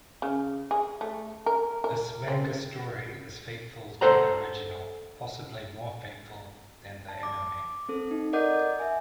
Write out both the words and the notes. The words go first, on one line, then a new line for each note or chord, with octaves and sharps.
This manga story is faithful to the original, possibly more faithful than the anime.
C#3
G#4
A3
A#4
A#4
C4
A4 C5 F#5 A#5
A5
D6
C4 A4
D#4
A#4 D5 D#5 F#5 D6 G6
E5 G#5